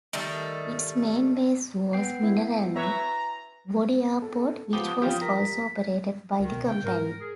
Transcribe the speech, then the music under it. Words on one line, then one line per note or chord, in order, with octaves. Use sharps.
Its main base was Mineralnye Vody Airport, which was also operated by the company.
D#3 G3 A3 A4
B3 G5 C7
E4
B4 C#5 E5 A#5
A4
F3 B3 G4 D#6 G7
C#3 F3 G3 F4 G4
A#4 A#5 B6
C#2 D#3
B2
C#3 G5
G#2 A#4
G#4